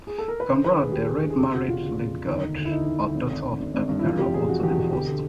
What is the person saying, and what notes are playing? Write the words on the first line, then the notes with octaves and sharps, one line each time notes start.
Conrad the Red married Liutgarde, a daughter of Emperor Otto the First.
G#4
A4
A#4
B4
D3 C5
D3 B4
D#2 G#4
D#2 G4
G#4
D3
D3
G#4
E1 G4
C#3 F#4
E1 F4
C#3
C#3
E1
D2 D#4
D#3
D2
E4
D2 D#4
D#3
D2
G#1
G#1
D3
G#1
G#1
G2
E4
E2 F4
F1 G4
E2 G#4
F1 F#4
E2 G4
F#4
B2
D2 G4
D3